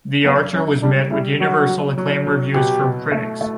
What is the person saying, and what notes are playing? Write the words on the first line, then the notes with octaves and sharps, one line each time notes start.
The Archer was met with universal acclaim reviews from critics.
F#2 B3
F#2 C#4
G3 D4
G3 E4
F#3 F#4
F#3
F#3
F#3
B2 G4
B2
A3
A3